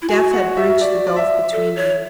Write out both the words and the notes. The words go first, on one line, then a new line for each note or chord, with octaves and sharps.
Death had bridged the gulf between them.
E4
F#4 G#5
F#5
E5
D5
D5
E5
A4
C#5